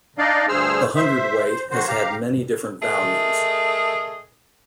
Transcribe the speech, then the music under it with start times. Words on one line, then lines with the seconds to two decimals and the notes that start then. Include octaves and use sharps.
The hundredweight has had many different values.
0.18 D4 D#4 D5 D#5 F5
0.48 D2 G2 G#4 C5 E6 F6
0.96 C5 E5
1.45 C5
1.71 D#3 F#3 F#4 C5
1.88 G4 F5 A#5
2.83 A3 G#4 A#4 D#5